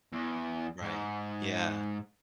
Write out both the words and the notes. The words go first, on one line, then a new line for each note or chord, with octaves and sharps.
Right. Yeah.
E2
G#2